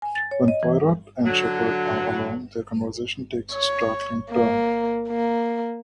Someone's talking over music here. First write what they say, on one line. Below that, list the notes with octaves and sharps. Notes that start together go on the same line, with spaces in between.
When Poirot and Sheppard are alone, their conversation takes a startling turn.
G#5
A6
C#5
D#5
E3
D3 F#3
C#5
A#3
A#3